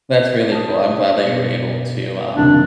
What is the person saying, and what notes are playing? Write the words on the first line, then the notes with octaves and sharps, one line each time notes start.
That's really cool, I'm glad that you're able to, um
A5 D#6
B2 D5 C#7
F#1 D#2 C3 D4